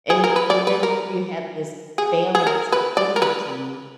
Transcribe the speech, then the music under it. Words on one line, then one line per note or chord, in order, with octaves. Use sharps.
and and then you have this balance of dignity,
G#4
A#4
B4
D5
B4
A#4
G#4
G#4
A#4
B4
D5
A#4
B4